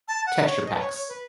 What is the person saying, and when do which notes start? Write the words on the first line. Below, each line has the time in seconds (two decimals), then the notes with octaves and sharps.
texture packs.
0.08 A5
0.26 F#5
0.46 C#5
0.65 D#5
0.73 B4
0.79 C#5
0.93 C#5
1.09 B4